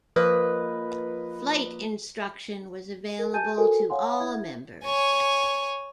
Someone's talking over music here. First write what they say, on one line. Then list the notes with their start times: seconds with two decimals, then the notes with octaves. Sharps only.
Flight instruction was available to all members.
0.16 F3 A#3 B4 D#5
3.19 A#4
3.34 G4 G#5 A5 G6 A6 D#7
3.57 F#4 A4 A#4 C5 G#5
3.90 C#5 F5 F#5 G#5 C6
4.20 E4 E5 G#6
4.86 C#5 G#5